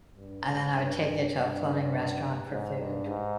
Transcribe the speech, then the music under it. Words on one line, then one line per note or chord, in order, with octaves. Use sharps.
and then I would take it to a floating restaurant for food.
G2
G#2
G2
G2
G2
G#2
G2
G#2